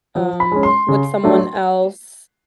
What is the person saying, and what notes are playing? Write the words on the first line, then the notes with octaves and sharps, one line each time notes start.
um, with someone else,
F3
B5
G#3 C#4
C6
C#3
F#3 A3 D4